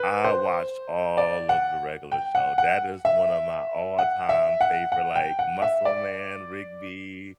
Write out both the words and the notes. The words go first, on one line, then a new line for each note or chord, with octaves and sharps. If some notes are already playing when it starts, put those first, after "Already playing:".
I watched all of the Regular Show, that is one of my all time favorite, like, Muscle Man, Rigby,
Already playing: B4
C5
D5
F#5
G5
F#5
F#5
E5
F#5
E5
F#5
F#5
G5
F#5
E5
D5